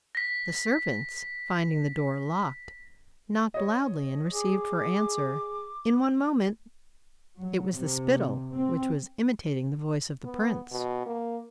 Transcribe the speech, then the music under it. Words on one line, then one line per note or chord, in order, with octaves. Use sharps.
The servants, finding the door locked, knocked loudly and received for answer, 'In one moment.' It was the spittle, which was imitating the voice of the prince.
A#6 B6
C#5 D#5
G#4 D6
F#3
C3
C4
B3
B2
A#3